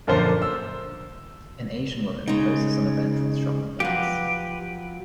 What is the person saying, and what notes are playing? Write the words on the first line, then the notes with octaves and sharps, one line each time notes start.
An Asian woman poses on a bench with shopping bags.
F#2 A#2 D3 F3 C5
E6
C#3 G#3 D#4
F3 F#3 G4 B4